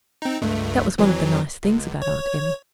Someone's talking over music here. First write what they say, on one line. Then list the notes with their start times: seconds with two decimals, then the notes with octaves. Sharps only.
That was one of the nice things about Aunt Emmy.
0.22 C4 D#4
0.42 C#2 G2 A3
0.98 F2 E3 F#3
1.64 C#2
2.02 C#5